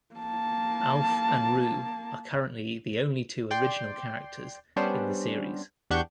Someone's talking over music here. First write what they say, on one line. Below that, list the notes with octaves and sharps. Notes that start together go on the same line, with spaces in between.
Alf and Roo are currently the only two original characters in the series.
A#3 A5
D5 G5 C6
G3 B3 C#4 D4 C5
E2 D4 G4 F#5 C#6 G6